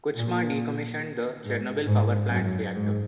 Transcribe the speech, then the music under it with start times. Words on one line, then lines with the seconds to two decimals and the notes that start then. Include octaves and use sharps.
Kuchma decommissioned the Chernobyl power plant's reactor.
0.17 A#2
1.45 G#2
1.87 G#2
2.30 F#2
2.73 G#2